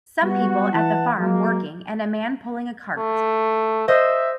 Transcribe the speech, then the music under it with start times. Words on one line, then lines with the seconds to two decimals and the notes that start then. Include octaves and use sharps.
Some people at the farm working and a man pulling a cart.
0.22 G3 B3 F#4
0.73 E3 E4 F#5 A5
1.19 F#3 G#3 A#3
2.97 A3
3.88 C5 D#5 E5